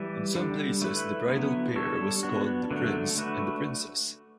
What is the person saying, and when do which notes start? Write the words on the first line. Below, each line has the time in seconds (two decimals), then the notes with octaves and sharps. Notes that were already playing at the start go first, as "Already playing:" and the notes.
In some places the bridal pair was called the prince and the princess.
Already playing: E3 G3
0.35 D3 G3 D4
0.82 A3 E4 B4
1.29 D3 F#3 B3 E4
1.76 G3 D4 A4 C#5
2.23 B3 D4 F#4
2.71 D3 F#3 A3 D4
3.18 A3 D4 F#4 B4